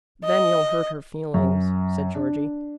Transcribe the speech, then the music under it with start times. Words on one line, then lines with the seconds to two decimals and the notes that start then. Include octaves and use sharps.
"Then you'll hurt her feelings," said Georgie.
0.24 D#5
1.34 F#2
2.15 D4